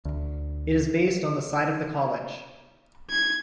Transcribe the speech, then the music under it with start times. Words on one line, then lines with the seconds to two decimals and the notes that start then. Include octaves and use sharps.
It is based on the site of the College.
0.05 D2
3.10 G#6